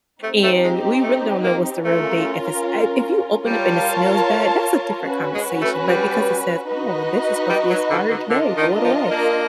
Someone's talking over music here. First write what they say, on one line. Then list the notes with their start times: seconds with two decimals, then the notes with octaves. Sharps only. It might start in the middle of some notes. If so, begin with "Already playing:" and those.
and, we really don't know what's the real date if it's eh if you open up and it smells bad, that's a different conversation, but because it says, "Oh, this is supposed to be expired today, throw it away."
0.23 A3 C4 D#4 G4
0.43 A3
0.64 G#3
1.03 A3
1.44 A#3
1.84 A3 C#4 F4 A#4
3.45 G3 F4 A#4 C#5 F5 A5
5.08 C#4 F#4 B4
5.34 G#3
5.61 A3
5.88 G3
6.69 D#4 F#4 B4 D#5
7.50 G3
7.70 F#3
7.90 D3
8.10 D3
8.30 D3 D4 F4 A#4 D#5
8.57 D#3
8.84 F3
9.11 A#3